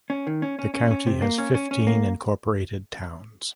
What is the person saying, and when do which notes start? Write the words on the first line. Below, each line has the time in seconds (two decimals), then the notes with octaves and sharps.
The county has fifteen incorporated towns.
0.10 C#4
0.27 D#3
0.42 C#4
0.59 C#4
0.74 C#4
0.91 C#4
1.07 C3
1.22 A#3
1.38 C#4
1.55 C#4
1.71 C#4
1.87 A#3